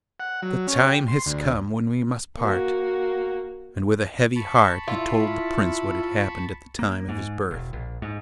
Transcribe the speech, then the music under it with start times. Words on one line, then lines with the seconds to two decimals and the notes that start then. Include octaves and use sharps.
The time has come when we must part,' and with a heavy heart he told the Prince what had happened at the time of his birth.
0.20 F#5
0.42 F#3
0.67 C#4
0.86 G4
1.08 C6
1.26 D2
2.37 A#3 F#4
4.36 A5 B5 C#6
4.88 E4 F4
6.79 A#3
7.09 G#2
7.51 E1
7.73 A#1
8.02 G#2